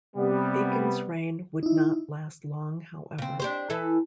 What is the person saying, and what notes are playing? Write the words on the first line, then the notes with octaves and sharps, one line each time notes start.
Akins's reign would not last long however.
C3 G3 B3
D#4 E4
C#3 C4
D4 G4 C5
E3 E4 A4